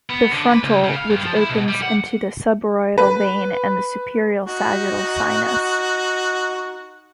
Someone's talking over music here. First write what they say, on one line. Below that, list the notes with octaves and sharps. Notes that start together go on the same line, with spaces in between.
The "frontal", which opens into the supraorbital vein and the superior sagittal sinus.
B3
D3
B4
C#2
C#3
F5
G2
F3
E4
B2
G3
F#5
B4
D#4 F#4